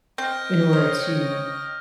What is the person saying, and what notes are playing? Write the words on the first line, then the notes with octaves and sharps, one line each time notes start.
in order to
C4 D#5 G5 F6 G6
C5 C#5 D#6 F6 A#6